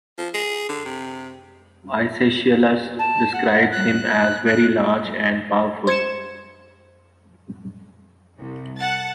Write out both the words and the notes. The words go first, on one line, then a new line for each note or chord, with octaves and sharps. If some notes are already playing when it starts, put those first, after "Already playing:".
Aeschylus describes him as very large and powerful.
F3
G#4
D3
C3
A5
F#5
F#6
F#6
C5 G#6 C#7 E7
C2
F#5 A5 A6